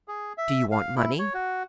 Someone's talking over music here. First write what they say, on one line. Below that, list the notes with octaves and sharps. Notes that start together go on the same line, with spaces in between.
"Do you want money?"
G#4
E5
F5
E4
C#5
F#4